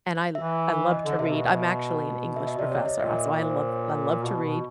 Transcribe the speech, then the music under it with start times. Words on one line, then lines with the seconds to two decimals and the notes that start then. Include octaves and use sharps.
and I I love to read. I'm actually an English professor, so I love I love to read,
0.35 E3 E5
0.91 D#5
1.05 D3
1.19 C3 E5
1.33 B2
2.36 E5
2.48 D#5
2.58 C3 D5
2.72 C#5
2.86 D#5
2.95 A#2 E5
3.42 C5
3.69 C#5
4.25 B2
4.44 B2